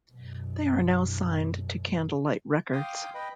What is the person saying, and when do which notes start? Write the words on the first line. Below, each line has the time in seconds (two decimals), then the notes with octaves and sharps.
They are now signed to Candlelight Records.
0.12 F#2 B2
2.73 F5 G5 C6 D6 D#6
3.14 B4 D#5 G5 B5